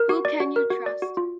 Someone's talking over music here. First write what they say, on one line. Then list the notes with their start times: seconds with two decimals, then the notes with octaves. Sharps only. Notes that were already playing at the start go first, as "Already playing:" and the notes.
Who Can You Trust?
Already playing: A#4
0.09 F#4
0.25 D5
0.40 F#4
0.56 A#4
0.70 F#4
0.86 D5
1.02 F#4
1.17 F4